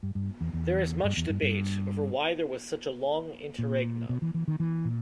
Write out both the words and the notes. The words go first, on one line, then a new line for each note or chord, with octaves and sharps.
There is much debate over why there was such a long interregnum.
G2
G2
E2
E2
G2
E2
G2
G2
A#2
B2
E3
E3
D#3
E3
A#2